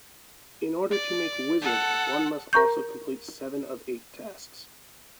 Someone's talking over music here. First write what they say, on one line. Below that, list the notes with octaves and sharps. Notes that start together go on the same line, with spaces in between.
In order to make Wizard, one must also complete seven of eight tasks.
D5
A4 F#5
A#4 A#5 C#6 G6